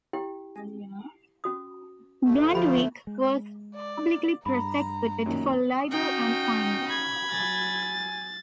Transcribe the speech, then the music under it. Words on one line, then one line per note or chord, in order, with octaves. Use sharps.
Grundtvig was publicly prosecuted for libel and fined.
E4 G4 G5
C#4 F#4 D#6
D2 A3
F3 B5
G#3
D5
G2 A#5 B5
F#2 A#2 D#3
C#4 D#4 F#4 G5
B5 G#6
F#3 G#5 A6